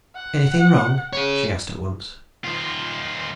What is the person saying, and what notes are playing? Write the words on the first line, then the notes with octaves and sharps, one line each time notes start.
"Anything wrong?" she asked at once.
F#5
G#4 C#5
D#3 F4